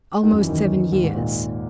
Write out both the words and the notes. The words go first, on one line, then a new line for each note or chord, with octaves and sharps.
"Almost seven years."
D#2 D#3
F#2 F#3
E2 E3
D#2 D#3
D#2 D#3
G#2
A#2